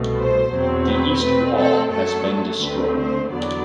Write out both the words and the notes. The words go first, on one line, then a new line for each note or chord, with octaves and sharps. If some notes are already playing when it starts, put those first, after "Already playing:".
The east wall has been destroyed.
Already playing: C2 B2 A3
C5
E2 B2 F#3 C4
B4
B2 A3 C4 B4
A4
F#2 F#3 A3 A4
D2 D3 A3 C4 B4
C5
E2 D3 F#3 B3 D5